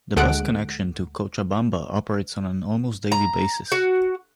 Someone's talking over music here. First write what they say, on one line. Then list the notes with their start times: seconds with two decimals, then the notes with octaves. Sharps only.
The bus connection to Cochabamba operates on an almost daily basis.
0.16 D2 G#3 A4 F#5 F#6 D7
3.12 A#5
3.72 F#4